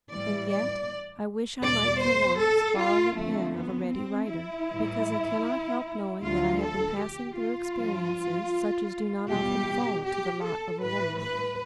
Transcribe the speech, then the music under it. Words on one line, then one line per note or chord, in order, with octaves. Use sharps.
And yet I wish I might, for once, borrow the pen of a ready writer; because I cannot help knowing that I have been passing through experiences such as do not often fall to the lot of a woman.
A2 E3 G3 D5
D5
E2 B2 G3 D5
C5
A4
F4
F2 D3 F3 A3
B3
C4
E4
A2 E3 G3
D2 D3 F3 F4
A4
G4
F4
G2 F3
E2 B2 G3 G4
G4
A4
A2 E3 G3 B4
B4